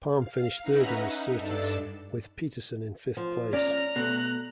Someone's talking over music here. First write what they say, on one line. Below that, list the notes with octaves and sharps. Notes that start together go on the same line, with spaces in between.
Palm finished third in his Surtees, with Peterson in fifth place.
F5
C#4 D#4 B4 E5 F#5 A#5
D#4
G2 D4 A4 E6 A6
F3
C#4 D5 A#5 F6
B2 A3 F#6